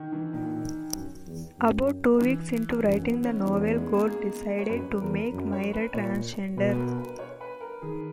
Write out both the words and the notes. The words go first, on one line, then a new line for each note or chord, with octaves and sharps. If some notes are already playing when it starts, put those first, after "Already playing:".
About two weeks into writing the novel Gore decided to make Myra transgender.
Already playing: D#3
E3
A#2 D#3
F#2
E2
F#2
E3
F#2 E3
B3
C#4
D#4
E2 C#4
B3
G#3
A#3
G#4
C#5
F#2 B4
E2 A#4
F#2
C#5
B4
A#2 C#5
B2 B4
B4
A#4
B4
C#5
B4
A#4
D#3 G#4